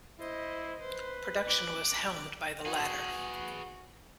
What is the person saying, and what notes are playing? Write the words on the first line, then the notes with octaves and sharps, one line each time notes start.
Production was helmed by the latter.
E4 C5 D#5
B4 C5
D6 F#6
F#4 G#4 B4